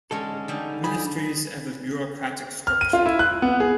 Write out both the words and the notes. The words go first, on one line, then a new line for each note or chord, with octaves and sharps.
Ministries have a bureaucratic structure.
D3 G#3 C#4 A4
D3 G3 D#4
G4 G#4 B5
F6
D#7
F4
E4
F#6
B3
G#4